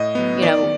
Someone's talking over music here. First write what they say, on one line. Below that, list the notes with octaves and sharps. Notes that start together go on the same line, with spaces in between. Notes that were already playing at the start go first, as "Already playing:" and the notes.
you know,
Already playing: A2 D#5
F#3 B3
D#3 D5